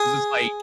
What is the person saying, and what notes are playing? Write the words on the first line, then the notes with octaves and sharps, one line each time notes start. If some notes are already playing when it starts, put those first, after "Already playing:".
'cause it's like
Already playing: G#4